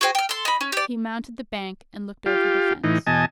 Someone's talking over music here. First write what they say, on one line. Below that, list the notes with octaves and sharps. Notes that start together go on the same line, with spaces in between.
He mounted the bank and looked over the fence.
F#4 G#4 C5 G5
G5 F6
A4 C6
D#4 B5
C#4
G4 D5
F4 G4
A2 E3 D#4
E2 B2 D#5 G#5 A5